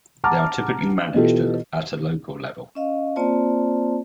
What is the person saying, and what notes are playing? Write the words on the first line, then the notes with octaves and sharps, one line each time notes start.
They are typically managed at a local level.
F#5 A5 A#5 D6 F6
B2 E3 F4 G4 A4
C#4 D#5 F5
A#3 C4 F4 C5 D5 A5